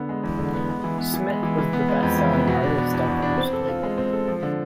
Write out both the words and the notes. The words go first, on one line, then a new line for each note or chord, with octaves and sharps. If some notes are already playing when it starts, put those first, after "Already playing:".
Smith was the bestselling artist on the Roost label.
Already playing: D3 B3
G#3
E2
D3
B3
G#3
E3
B3
E3
G#3
E3
E3
B3
G#3
F2
E3
B3
B2
D4
B3
E2
B2
D4
C4
A4
F4
G#3
C4
A4
F3
D3